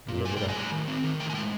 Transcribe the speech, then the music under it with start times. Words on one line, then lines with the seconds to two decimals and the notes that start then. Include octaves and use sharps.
Live It Up!
0.08 A#2
0.25 A2 G#5
0.37 G3 G5
0.48 G#5
0.56 A2
0.72 D#3
0.88 C4
1.04 D#3
1.20 A2 G5
1.30 G#5
1.35 G#3 G5